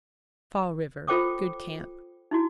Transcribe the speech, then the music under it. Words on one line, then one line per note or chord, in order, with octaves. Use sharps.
Fall River.--Good camp.
F4 A4 C5 G5 D6 D#6
D#4 E4 F#4